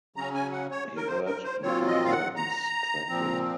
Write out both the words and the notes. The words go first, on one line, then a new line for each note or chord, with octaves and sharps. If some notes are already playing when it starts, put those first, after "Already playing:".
He heard the green weapons crackling.
C#3 F#3 C#4 A#5
G#5
F#5
C#5
A#4
C5
A#4
C5
A#2 F#3 C4 F4 C#5
D#5
F5
F#5
A#5
A#2 F3 C4